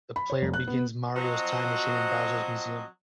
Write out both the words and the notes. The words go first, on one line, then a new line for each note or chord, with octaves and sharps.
The player begins "Mario's Time Machine" in Bowser's museum.
B5
C#5
F1
F#6
B3
F3 F#3 C4 F#4 D#5